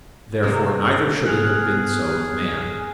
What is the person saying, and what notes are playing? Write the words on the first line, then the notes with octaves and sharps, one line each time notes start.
Therefore neither should it have been so with man.
C3 G#3 A#3
B3 G#4 F6 F#6